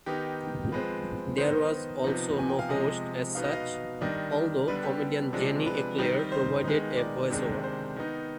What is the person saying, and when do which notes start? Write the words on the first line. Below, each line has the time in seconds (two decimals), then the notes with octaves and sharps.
There was also no host as such, although comedian Jenny Eclair provided a voiceover.
0.06 D#3 B3 D#4 G4
0.72 F3 G#3 C4 B4
1.38 D#3 B3 D#4 C5
2.04 C3 F3 B3 D#4
2.39 G#5
2.49 G5
2.59 F5
2.69 C3 F3 G#3 D#5
3.35 B2 B3 D#4 F5
3.44 D#5
3.53 F5
4.01 D#3 G3 D4 D#5
4.68 D3 G3 B3 D4 B4
4.83 G4
5.33 C3 F3 G#3 D4
5.66 B4
5.98 D#3 G3 C4 D#4
6.32 C5
6.64 D#3 G#3 B3 D#4
6.97 D5
7.30 C3 D#3 G#3 D4
7.64 C5
7.96 D#3 B3 D#4